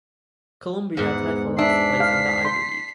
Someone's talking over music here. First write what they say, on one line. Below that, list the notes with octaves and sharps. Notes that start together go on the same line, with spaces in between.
Columbia tied for last place in the Ivy League.
E2 G#2 F#5
D4 E5 B6 C7
F5
C6